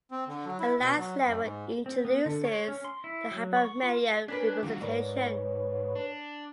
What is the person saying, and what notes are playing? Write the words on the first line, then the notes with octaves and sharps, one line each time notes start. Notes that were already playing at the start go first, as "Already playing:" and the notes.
The last level introduces the hypermedia representation.
C4
D3
F#3
E4
B2
F#3
F#2
G#2
C4
B3
D3
C#5
C#4
C6
E4
F#3
C#6
F4
C#4 D4 A#4 B4 G#5 B5 F#6
D#2 D3 D#3 F3 G3 F#4
G#2 A#4 B4 C#5 D5
D4